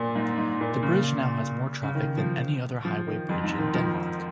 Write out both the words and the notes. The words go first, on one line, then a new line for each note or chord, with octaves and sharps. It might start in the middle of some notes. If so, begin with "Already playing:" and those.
The bridge now has more traffic than any other highway bridge in Denmark.
Already playing: A#2
G#2
G#2
A#2
C#3
C#3
D#3
F3
F3
D#3
F2
G#2
D#3
F3